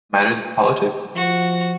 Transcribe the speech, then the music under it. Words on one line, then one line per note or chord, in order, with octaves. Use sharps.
Matters of politics?
F3 F#4